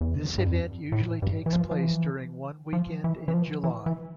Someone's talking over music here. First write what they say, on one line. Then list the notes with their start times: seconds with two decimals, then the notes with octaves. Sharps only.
This event usually takes place during one weekend in July.
0.01 E2
0.38 G2
0.47 F2
0.92 A2
1.22 G2
1.46 E3
1.53 F3
1.71 F3
1.82 E3
2.73 F3
3.04 E3
3.28 E3
3.34 F3
3.64 E3
3.86 E3